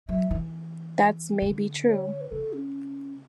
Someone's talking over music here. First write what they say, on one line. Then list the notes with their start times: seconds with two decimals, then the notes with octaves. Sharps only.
That's maybe true.
0.09 F#3 E5
0.31 E3
1.42 D3
1.87 C#5
2.21 B4
2.31 C#3 A4
2.53 C#4